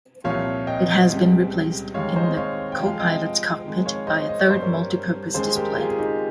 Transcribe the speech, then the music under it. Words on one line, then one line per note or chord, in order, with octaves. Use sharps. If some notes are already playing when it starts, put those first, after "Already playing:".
It has been replaced in the co-pilot's cockpit by a third Multi Purpose Display.
C2 A#2 F3 C#5 F5
D#5 G5
C#2 C3 G3
D#2 D#3 G#3 C#5 F5
C5 D#5
C#5 F5
G5
F2 C3 F3 G#3
F5
D#5 G5
F2 D#3 G#3
C#5 F5
C5 D#5
D#5
C#5
G2 G3 C5
A#4 C#5
D#2 C#3 G#3 G#4 C5
G4 A#4
F4 G#4
G#4
D#4 G4